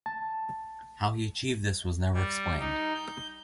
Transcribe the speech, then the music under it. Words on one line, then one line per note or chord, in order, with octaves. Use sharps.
How he achieved this was never explained.
A5
G3
D#4
G6